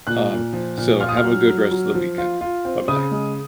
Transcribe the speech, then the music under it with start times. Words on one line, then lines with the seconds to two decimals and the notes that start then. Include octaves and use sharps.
Um, so have a good rest of the weekend. Bye-bye.
0.07 A#2 F#6
0.30 A#2
0.53 F3
0.78 A#2
1.00 F4 F6
1.09 D#6
1.17 F6
1.24 F#3
1.48 F#3
1.71 F#3
1.94 F3
2.18 F4
2.41 F4
2.65 C4
2.88 C#3 D#6
3.11 G#3